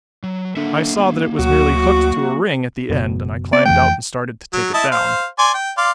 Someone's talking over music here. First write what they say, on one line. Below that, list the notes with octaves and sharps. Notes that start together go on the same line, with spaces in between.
I saw that it was merely hooked to a ring at the end, and I climbed out and started to take it down.
F#3
D3 A#3 E5 F#5
G1
D2 F#3 F#4
F#1 B2
B3 D5
F2 E3 A3 G5
F#3
E4 D#5 A5
C5 F5
D5 G#5 C6
G5
D5 F5 C6